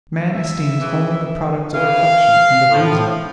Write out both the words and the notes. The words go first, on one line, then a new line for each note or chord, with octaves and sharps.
Man esteems only the products of reflection and of reason.
E5
C#3 E3
C#3 E3 F5
A2 F3